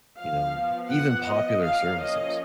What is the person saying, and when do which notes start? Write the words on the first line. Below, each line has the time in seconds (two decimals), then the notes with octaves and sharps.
you know, even popular services.
0.18 F3 B3 F5
0.90 F#5
1.27 D#5
1.63 F3 A#3 C#4 F5
2.00 D#5